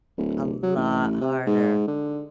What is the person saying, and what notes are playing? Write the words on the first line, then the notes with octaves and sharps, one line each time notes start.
A lot harder.
D1
F#3
A1
C3
G#2
D3